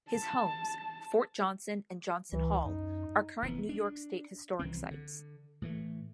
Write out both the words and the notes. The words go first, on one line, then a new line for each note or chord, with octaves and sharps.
His homes, Fort Johnson and Johnson Hall are current New York State Historic Sites.
A5
C#2 E3
F#2 D#4
F1 E3 B3
D4
C2 E3 F3 C4
D3
A2 E3 A3